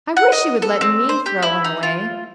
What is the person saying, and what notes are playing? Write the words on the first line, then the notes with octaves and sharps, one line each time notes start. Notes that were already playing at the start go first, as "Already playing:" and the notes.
"I wish you would let me throw one away."
F#5
D#5
A4
C4
C5
G4
E4
D#4
F4